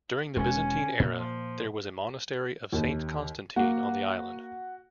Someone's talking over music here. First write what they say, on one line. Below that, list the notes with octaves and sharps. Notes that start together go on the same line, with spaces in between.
During the Byzantine era, there was a monastery of Saint Constantine on the island.
E1 G#3 C#4
A#2
F3
D#2
A#3 F#4